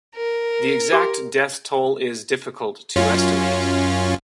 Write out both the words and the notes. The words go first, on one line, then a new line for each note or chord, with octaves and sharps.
The exact death toll is difficult to estimate.
A#4
G4 C6
F#2 C#4 F4